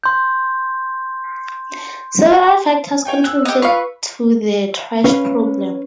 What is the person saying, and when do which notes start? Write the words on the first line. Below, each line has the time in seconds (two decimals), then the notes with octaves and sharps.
Several factors contributed to the trash problem.
0.04 C6 G6
3.05 C#5 G5 G#5
3.24 E6 F#6
3.45 G4 D#5
3.62 F4 B4 F5 C#6
5.04 C#4 B4 F5